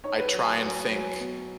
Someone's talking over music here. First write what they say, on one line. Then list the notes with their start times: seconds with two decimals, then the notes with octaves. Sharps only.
I try and think,
0.04 D#4 C#5
0.18 B4
0.23 C#5
0.33 F#3
0.43 G#5
0.63 F#3
0.92 F#3
1.20 B2